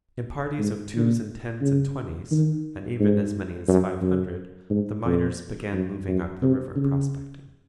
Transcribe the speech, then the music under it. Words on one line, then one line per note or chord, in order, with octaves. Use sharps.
In parties of twos and tens and twenties, and even as many as five hundred, the miners began moving up the river prospecting.
G#2
A#2
C#3
D#3
G#2
F#2
F#2
G#2
F2
F#2
F#2
C3
C#3